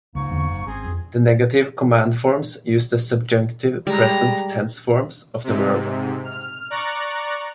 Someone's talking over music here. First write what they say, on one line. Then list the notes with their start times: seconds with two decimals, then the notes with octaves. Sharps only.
The negative command forms use the subjunctive present tense forms of the verb.
0.15 C#2 G#2 A#3 C#6
0.31 E2 D3
0.49 F#1
0.67 G#1 C4 C#4 G#4
0.84 F2
3.87 G3 G#3 A#5
5.44 G#2 C3
6.25 F6
6.70 D5 A#5 C#6 F#6